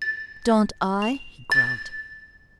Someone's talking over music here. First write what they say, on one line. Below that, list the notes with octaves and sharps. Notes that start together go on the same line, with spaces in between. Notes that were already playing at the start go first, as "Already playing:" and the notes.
"Don't I?" he growled.
A6
F7
A6